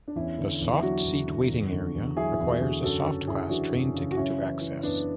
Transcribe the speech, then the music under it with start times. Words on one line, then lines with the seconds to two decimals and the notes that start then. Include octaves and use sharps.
The Soft Seat waiting area requires a Soft Class train ticket to access.
0.08 D4
0.16 E2 C#4 E4
0.38 D3
0.61 E2
0.73 E4
0.82 F#3 D4 F#4
1.05 E2
1.27 D3
1.49 E2
1.71 D3
1.94 E2
2.16 F#3 E4 G#4
2.33 E4
2.39 E2
2.48 F#4
2.61 D3 E4 G#4
2.83 F#2 F#4 A4
3.06 C#3
3.28 F#2 E4 G#4
3.50 E3 D4 F#4
3.72 F#2
3.94 C#3
4.11 F#4
4.17 F#2 C#4 E4
4.39 E3
4.61 E3
4.83 F#2 B3 D4